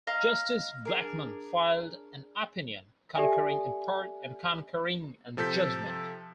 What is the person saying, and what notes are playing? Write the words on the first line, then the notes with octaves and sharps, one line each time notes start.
Justice Blackmun filed an opinion concurring in part and concurring in the judgment.
D#5 F5 A#5 F6
D4 G#4 A#4
G4 A4 D5 E5 G#5
C3 F3 A4 G6 B6